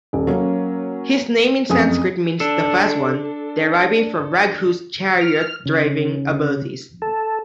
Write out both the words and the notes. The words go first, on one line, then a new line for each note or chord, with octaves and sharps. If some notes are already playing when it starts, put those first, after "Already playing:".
His name in Sanskrit means "the fast one", deriving from Raghu's chariot-driving abilities.
D#1
F#3 A#3 C#4
F#1 F2 A4 G#5 D#6
D4 A4
F6
C#3
A4